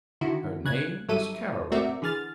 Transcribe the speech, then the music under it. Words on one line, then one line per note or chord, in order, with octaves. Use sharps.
'Her name is Caroline.
D3 D#3 E4 F#4
C#3 F#6 G#6
G#1 F#3 G3 A4 E5 D#7
A3 C4 F#4 A#4 D5 E5
D3 E3 G#4 F6 A6